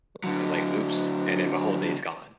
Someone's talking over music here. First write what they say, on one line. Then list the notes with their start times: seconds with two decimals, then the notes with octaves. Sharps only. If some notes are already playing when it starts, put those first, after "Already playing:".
like I was like, "Oops." And then my whole day's gone.
0.24 D3 F#3